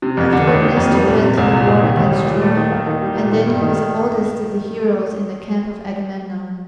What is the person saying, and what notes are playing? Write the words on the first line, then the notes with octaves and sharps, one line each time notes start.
Afterward Nestor went to the war against Troy, and then he was the oldest of the heroes in the camp of Agamemnon.
C3
F2
D3
D#2
D#3
F2
G3
A#2
C3
C2
A#2
C2
D#3
D#2
G3
A#2
A3
D#3
A#3
D#3
G3
A#2
D#3
G2
D#3